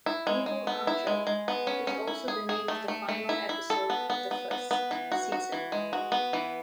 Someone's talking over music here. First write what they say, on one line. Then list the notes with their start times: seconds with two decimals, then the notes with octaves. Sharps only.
Able Archer is also the name of the final episode of the first season.
0.06 E4
0.27 G#3
0.46 G#3
0.67 B3
0.87 E4
1.07 G#3
1.27 G#3
1.48 B3
1.67 C#4
1.87 C#4
2.07 E4
2.28 G#4
2.49 G#4
2.68 A3
2.88 A3
3.09 A3
3.29 E4
3.49 E4
3.70 A4
3.90 B3
4.10 B3
4.31 B3
4.51 B3
4.71 B3
4.91 E3
5.12 F#4
5.32 F#4
5.52 E3
5.72 G#3
5.93 F#4
6.12 B3
6.33 E3